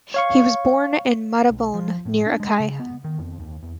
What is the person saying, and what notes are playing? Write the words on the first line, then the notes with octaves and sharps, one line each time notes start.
He was born in Montabone near Acqui.
C#5 F5 C#6
B1
F3
A2
D4
G#3
C#3
B3
D#3
F2
D#2
E2